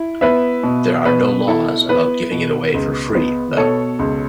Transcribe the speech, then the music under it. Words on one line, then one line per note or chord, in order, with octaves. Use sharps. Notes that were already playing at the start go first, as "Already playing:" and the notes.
There are no laws about giving it away for free, though.
Already playing: E4
B3 B4 E5
B2
B2 B4
E4 A4
B3 B4
B2
C#2
B3
B2 A4 C#5
C#2